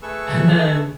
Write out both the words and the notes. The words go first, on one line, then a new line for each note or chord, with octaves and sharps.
And then
A3 G#4 A4 B4 C#6 E6